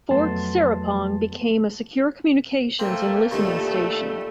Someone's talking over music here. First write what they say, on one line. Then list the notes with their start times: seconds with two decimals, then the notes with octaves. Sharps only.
Fort Serapong became a secure communications and listening station.
0.10 F2 F#3 A3 B3 A5 C6
2.79 A3 A#3 C4
3.31 G2 A#2 D#3 A3